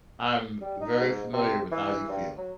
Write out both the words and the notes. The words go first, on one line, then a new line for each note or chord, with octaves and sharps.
I'm very familiar with how you feel.
G3
D#4
G#2
C3
E3
G2
F#3